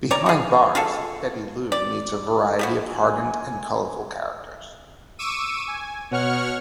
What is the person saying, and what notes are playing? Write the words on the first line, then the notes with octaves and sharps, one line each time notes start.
Behind bars, Betty Lou meets a variety of hardened and colorful characters.
C#5 D5 A#5
F#4 G#4
F4 G#4 A4
D5
F3 E4 F#4
G#5
C#6 D6 E6 D#7
G#5
B2 C#5 F#5 C#6 F6